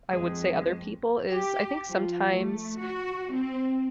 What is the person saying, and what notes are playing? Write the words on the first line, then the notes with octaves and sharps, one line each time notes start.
I would say other people is I think sometimes
F2 G#3
G4
F3
A3
F#4
C4